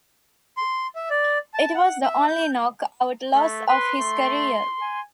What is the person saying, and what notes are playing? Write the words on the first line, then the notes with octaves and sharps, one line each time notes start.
It was the only knock out loss of his career.
C6
E5
D5
A5
F#5
E5
G6
A3
B4 C6
A3
G#5